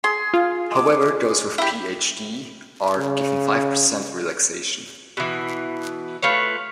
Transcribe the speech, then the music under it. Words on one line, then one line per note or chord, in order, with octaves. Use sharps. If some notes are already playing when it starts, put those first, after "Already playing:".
However, those with Ph.D are given five percent relaxation.
G#4 C6
F4
G#3 D6
E4 G4
C#3
B2 E3
A3 F4 B4 C#5